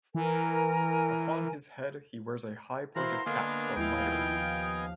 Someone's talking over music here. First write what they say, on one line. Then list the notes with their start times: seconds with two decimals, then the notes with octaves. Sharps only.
Upon his head he wears a high pointed cap or miter.
0.15 E3 A#4 G#5
2.96 E3 E4 F#4 A#4 C5 F5 A#5 C6
3.26 D3 A#3 B3 D4 D#5 F5 G#5
3.77 D#2 F3 E4 F5 G5
4.61 D#6